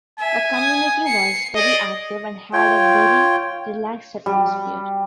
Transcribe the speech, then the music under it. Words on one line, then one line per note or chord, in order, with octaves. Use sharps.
The community was very active, and had a very relaxed atmosphere.
E5 G#5
D#6 G#6
C7 C#7
G#4 D5 D#5
F4 C#5 G5
G3